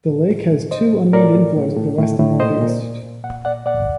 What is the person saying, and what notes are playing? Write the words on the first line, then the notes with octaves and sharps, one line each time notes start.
The lake has two unnamed inflows at the west and northeast.
A2
A2
A2
A2 C5 D#5
A2
A2 A#4 D5
A2
A2
A2
A2
A2
A#2 C5 D#5
A#2
A#2
A#2
A#2 F#5
A#2 D5 F#5
A#2 D5 F#5